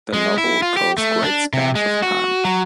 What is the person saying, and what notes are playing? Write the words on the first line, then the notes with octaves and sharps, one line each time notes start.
The novel covers great spans of time.
G#3
E4
F4
G4
A3
D4
C3
G#3
F#4
F#3